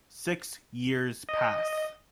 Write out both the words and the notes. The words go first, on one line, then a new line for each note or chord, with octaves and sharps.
Six years pass.
D#5